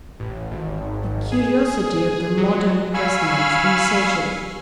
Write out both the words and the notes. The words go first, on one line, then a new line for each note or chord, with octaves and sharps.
"The curiosity of the modern pressman is insatiable."
A1
G#1
G#4
F#3
F5 G#5 B5 C#6 E6 F6